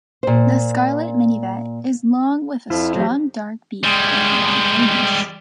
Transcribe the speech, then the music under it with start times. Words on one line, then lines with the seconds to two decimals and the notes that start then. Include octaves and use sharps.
The scarlet minivet is long with a strong dark beak and long wings.
0.23 A#2 C5
2.70 F2 F3 E4 F4
2.96 F#3 G4
3.84 G3 G#3